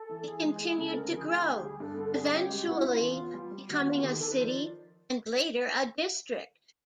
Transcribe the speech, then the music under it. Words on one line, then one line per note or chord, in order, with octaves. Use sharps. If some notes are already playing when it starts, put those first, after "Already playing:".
It continued to grow, eventually becoming a city and later a district.
Already playing: A4
E3
E3 G#4
G#3
G#3 G#4
C#3 A4
D2 A#4
F3 G#4
D2
D2
G4
G3 G#4
G2 A4
D3 A4
A4
G3 G#4
C#4 G4
G#3
G4
B2 F#4
E4
C#4 F4
E2
B3
G3
G3
D#2 F#4
B3 F4
D#3 G4
G#4
D#3 A4
B4
F3 C5
D5